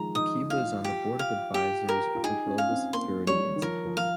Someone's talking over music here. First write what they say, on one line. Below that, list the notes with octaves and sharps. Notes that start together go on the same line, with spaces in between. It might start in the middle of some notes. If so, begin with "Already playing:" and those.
Akiba is on the Board of Advisors of the Global Security Institute.
Already playing: D#3 F3 G#3 A#5
D#4 D#6
F4 F5
G4
F5
G4
A#4
F4
D#4 G#4
C#4
F5
C4
A#3 C6
G3 C#5
D#3
F3 A#4
F3
F5